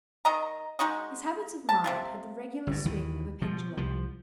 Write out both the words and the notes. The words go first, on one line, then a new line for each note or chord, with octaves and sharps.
His habits of mind had the regular swing of a pendulum.
D#3 D#5 A#5
G#3 D#4 F#4 D#5
A5
C3 F#3 F4
G1 G#2
D#2 D#3 E3
B2 F3
C2 F3